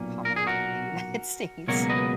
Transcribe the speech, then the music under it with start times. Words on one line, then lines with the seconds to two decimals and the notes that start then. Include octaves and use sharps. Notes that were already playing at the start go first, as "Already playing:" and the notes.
common thing in the United States.
Already playing: B1 A#2 A#3 C#4
0.25 A#4
0.36 G#4
0.47 F#4 A#4
1.68 C#2 B2 F#3 A#3 A#4 C#5
1.89 B4 D#5